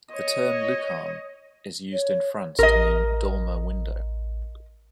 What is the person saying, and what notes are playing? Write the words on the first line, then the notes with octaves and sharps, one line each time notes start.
The term lucarne is used in France to mean "dormer window".
C#5 D#5
C#5
A1 A#4 D#5